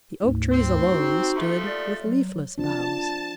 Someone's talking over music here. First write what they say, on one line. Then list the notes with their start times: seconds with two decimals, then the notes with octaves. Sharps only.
The Oak Trees alone stood with leafless boughs.
0.22 D2 G#2
0.52 C4
0.89 D#4 F#4
1.36 D#2 F3 A3
1.67 D5
2.03 F#3
2.58 F3 D4 A5